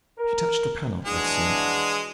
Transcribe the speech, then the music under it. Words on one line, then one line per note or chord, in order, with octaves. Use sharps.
She touched the panel I'd seen.
A#4
E3 G#3 D4 F#4 G#4